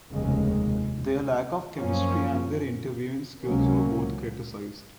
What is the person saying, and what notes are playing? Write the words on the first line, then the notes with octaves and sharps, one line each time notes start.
Their lack of chemistry and their interviewing skills were both criticized.
F1 D#2 C#3 G#3
F#2 F3 A#3 C#4
C#2 C3 F#3 A#3 C#4